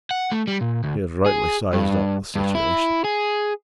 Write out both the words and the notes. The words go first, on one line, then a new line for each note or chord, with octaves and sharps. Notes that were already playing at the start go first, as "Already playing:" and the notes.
He had rightly sized up the situation.
F#5
A3
G3
A#2
D2
G#4
G2
G2
E4
G#4